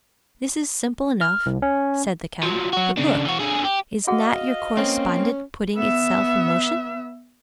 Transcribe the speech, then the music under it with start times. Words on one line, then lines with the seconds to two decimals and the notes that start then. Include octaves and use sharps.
"This is simple enough," said the count; "but look, is not your correspondent putting itself in motion?"
1.21 F6
1.46 C2
1.62 C#4
2.43 F3 F#3
2.73 F#3 F#4
2.97 C#3 D4
3.25 E3 F#4
3.39 D3 G#4
3.64 G4
4.07 F#4 G#4 D#5 F5 F#5
4.77 A#3 C4 C#4
5.75 B3 E5